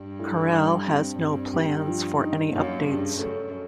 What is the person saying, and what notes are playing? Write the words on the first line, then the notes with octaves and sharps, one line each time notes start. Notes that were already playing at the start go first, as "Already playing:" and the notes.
Corel has no plans for any updates.
Already playing: G2
A2
G3
C4
G2 C4
G4
F3
D#4
F#2 A#3
G2 C#3
F#2 A3